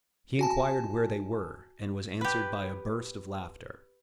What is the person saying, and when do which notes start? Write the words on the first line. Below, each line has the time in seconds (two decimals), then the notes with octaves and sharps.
He inquired where they were, and was answered by a burst of laughter.
0.39 F#4 G#5 A5
2.21 G4 B4